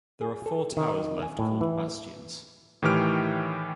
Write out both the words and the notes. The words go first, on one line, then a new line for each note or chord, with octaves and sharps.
There are four towers left called bastions.
G#4
A4
D#3
G#5
A2
E3
A2 D#3 E3 G4 F6 D7